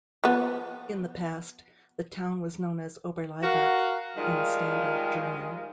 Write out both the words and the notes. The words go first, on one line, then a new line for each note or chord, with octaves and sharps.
In the past, the town was known as "Oberlaibach" in standard German.
F3 B3
F#4 A#4 F5
D#3 F3 G3 G#3 D#4 F4